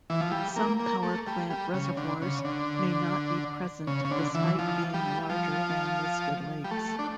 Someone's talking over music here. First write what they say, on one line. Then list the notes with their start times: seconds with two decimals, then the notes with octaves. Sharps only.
Some power plant reservoirs may not be present despite being larger than listed lakes.
0.10 E3
0.21 F3
0.32 G3
0.56 A#3
0.79 A#3
1.02 A3
1.27 G3
1.50 G3
1.74 C#3
1.97 D3
2.22 C#3
2.45 D3
3.87 C#3
4.05 C#3
4.11 D3
4.35 E3
4.58 F3
4.94 G3
5.30 F3
6.64 G3
6.71 A3
6.99 D4